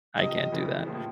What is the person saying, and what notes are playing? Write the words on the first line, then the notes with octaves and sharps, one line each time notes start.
I can't do that.
C#2 C3 F3 D#5
F2 C#3 E3 G3
A2 F3 A#3